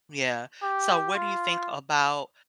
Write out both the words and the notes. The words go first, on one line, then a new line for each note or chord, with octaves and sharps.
Yeah. So, what do you think about,
G4
F4